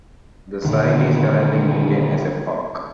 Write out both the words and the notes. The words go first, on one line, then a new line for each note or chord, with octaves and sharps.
The site is currently maintained as a park.
G2 A#2 D3 D#3